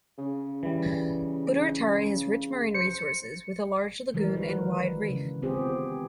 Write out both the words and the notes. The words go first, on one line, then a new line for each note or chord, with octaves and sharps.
Butaritari has rich marine resources, with a large lagoon and wide reef.
C#3
E3 G3
C5 C#7
E3 F3 G3 G#3 A#4
D#3 F#4 B4
C#3
B3 C4 F4 G4 G#4 C5